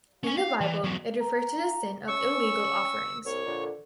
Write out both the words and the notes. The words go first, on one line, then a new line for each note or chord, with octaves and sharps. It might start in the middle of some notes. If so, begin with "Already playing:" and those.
In the Bible it refers to the sin of illegal offerings.
C#4 G#5
F5
E3
E2 F#3
A#5
C#4 C#6 E6
C2 C#5
F2 A#2 D3